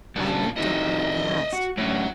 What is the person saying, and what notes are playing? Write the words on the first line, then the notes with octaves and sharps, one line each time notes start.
I looked at her aghast.
G2 A#2 C#3 A5
A2 D#3 D#5 E5
F#4
F#2 A2 F#3